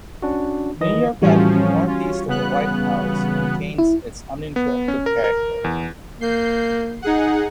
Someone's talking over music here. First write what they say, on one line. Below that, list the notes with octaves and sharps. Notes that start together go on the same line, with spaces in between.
New York Avenue northeast of the White House retains its uninterrupted character.
C#4 D4 F#4
D#3 E3 D#5
A2 E3 F3 G3 C#4 F#4
C#4 F4
C#3 B3 F#6
E4
B3
C#4
A#4
A#4
E2
A#3 G6 C7
D#4 G#4 F#5